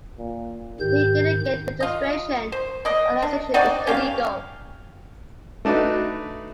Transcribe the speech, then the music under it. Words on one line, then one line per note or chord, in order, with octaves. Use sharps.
But he didn't get a registration and his organization is illegal.
A#2
G#2 D#3 G4 G6
F4 D#5
C5
D5 D#5
D4
C4 D#4 F#4 D5
C#4 G4 C#5 F5
A3 D4 D#4 F#4 B4